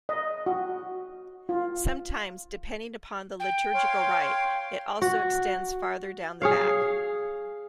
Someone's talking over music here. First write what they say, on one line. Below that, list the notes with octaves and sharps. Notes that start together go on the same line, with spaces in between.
Sometimes, depending upon the liturgical Rite, it also extends farther down the back.
D#5
F#4
F4
G5
C#5 F5 C6
F#4
G#4 C#5 F5